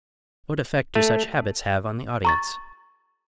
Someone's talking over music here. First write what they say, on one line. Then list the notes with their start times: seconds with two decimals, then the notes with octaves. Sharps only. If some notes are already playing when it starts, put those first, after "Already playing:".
What effect do such habits have on the audience?
0.95 A3
2.25 A#5 C#6 A6